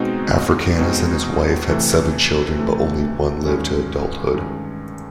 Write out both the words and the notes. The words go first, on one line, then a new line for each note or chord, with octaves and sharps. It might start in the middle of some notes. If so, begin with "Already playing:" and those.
Africanus and his wife had seven children, but only one lived to adulthood.
Already playing: B2 G#3 C4 D#4 F#4
B2 G#3 C4 D#4 F#4
C3 E3 A3
C3 E3 A3
G2 D#3 G#3 C#4
G2 D#3 G#3 C#4